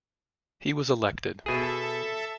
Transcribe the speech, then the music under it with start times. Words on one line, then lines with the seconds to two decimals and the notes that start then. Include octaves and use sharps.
He was elected.
1.46 B2 G#4 A4 E5